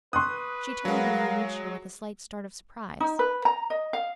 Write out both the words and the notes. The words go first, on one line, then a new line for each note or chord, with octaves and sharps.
She turned when he reached her with a slight start of surprise.
B4 C6 C#6 D#6 F#6
F#3 G#3 A#4 F5 F#5
D#4
B4
A#5
D#5
F5